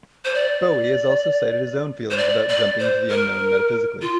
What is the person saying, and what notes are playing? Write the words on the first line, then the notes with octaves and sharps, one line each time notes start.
Bowie has also cited his own feelings about jumping into the unknown metaphysically.
C5
D5
C5
D5
D5
C5
A#4
F4